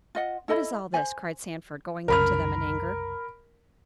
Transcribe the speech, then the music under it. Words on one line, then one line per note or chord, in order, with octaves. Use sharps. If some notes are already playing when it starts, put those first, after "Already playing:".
"What is all this?" cried Sandford, going up to them in anger.
F4 D#5 F#5
E4 A4 D#5 B5
C5 G#5
C2 F#2 C#3 A#4 B5 F6